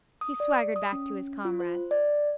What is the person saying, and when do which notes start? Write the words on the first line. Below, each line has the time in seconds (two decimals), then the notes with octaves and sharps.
He swaggered back to his comrades.
0.21 D#6
0.40 D5
0.76 D#6
0.93 C#4
1.45 F4
1.60 C5
1.91 D5